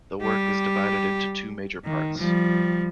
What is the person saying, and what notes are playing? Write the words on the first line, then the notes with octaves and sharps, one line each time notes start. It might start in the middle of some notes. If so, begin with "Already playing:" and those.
The work is divided into two major parts.
G3 G4
D#3
F3 G3